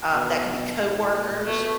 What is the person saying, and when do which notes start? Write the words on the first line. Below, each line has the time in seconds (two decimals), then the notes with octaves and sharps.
um, that can be coworkers.
0.14 B2
0.80 A2
1.13 A#2
1.45 B2 A3